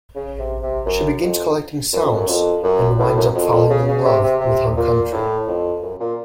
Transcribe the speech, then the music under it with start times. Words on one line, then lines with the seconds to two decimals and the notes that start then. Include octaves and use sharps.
She begins collecting sounds and winds up falling in love with her country.
0.15 C#3
0.39 C3
0.63 C3
0.86 F#2
1.22 F2
1.93 F#2
2.04 F2
2.15 F#2
2.28 F2
2.63 F#2
2.99 A2
3.17 F#2
3.35 F2
3.52 F2
3.70 C#3
3.88 C#3
4.05 C3
4.23 C3
4.41 C3
4.76 A#2
5.12 A2
5.47 F2
5.82 F#2
6.00 A#2